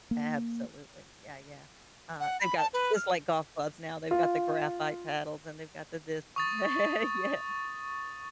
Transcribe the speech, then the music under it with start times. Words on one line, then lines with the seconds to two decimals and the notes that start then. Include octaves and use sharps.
Absolutely, yeah, yeah. Uh, they've got just like golf clubs now, they've got the graphite paddles, and they've got the this, and the yeah, yeah.
0.11 A#3
2.20 F#5
2.41 B5
2.57 A5
2.73 B4
2.95 F6
4.11 F4
6.36 C#6 D#6 A6